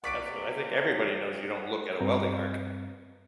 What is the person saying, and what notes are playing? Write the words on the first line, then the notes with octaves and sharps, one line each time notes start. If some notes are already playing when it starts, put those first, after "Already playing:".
Absu I think everybody knows you don't look at a welding arc.
C3 A#3 D5 F#5 C#6 B6 D7
G2 C4 B4 A#5